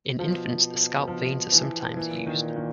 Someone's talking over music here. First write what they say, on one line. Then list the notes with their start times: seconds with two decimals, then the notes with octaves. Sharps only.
In infants the scalp veins are sometimes used.
0.18 B2 F3
1.08 F3
1.52 E3
1.97 A#2 E3
2.27 D#3
2.56 D#3